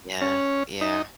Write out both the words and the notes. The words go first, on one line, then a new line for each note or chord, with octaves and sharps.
Yeah, yeah.
C#4
D#4